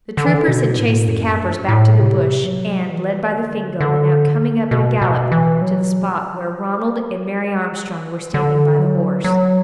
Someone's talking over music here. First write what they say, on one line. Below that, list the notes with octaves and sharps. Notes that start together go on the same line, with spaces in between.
The troopers had chased the Kaffirs back to the bush, and, led by the Fingo, were now coming up at a gallop to the spot where Ronald and Mary Armstrong were standing by the horse.
D3
E3
D3
B2
A2
F#2
G2
A2
C3
F#3
E3
D3
D3
B2
B2
E3
F#3
D3
F#3
F#3